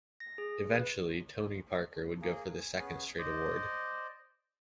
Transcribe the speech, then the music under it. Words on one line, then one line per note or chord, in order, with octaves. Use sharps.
Eventually, Tony Parker would go for the second straight award.
A#6
G#4
B4
A#3 G#4
G#5
B3 C#4 G#4
C5 D5 D#5